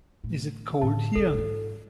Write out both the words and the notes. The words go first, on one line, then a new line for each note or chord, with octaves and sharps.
Is it cold here?
A2
A2 D3 A5
B1 F4 A4
G#2 F4